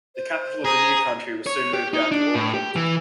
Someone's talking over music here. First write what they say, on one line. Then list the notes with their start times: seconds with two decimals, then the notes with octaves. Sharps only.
The capital of the new country was soon moved down to Auckland.
0.15 C5
0.65 G#4 A#5 D#6
1.47 C#5
1.73 G4
1.94 D#4
2.12 D4
2.35 A2
2.54 G4
2.76 E3